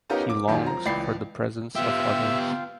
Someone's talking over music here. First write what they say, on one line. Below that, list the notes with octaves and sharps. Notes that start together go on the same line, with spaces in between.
He longs for the presence of others.
B3 C#4 D#4 F4 G4 A#4
D6
E1 F#2 D#3
F3 C4 A#5
C#2 E3 D5 G5 B5 C7
B3 F4 G4 E5 F5 G5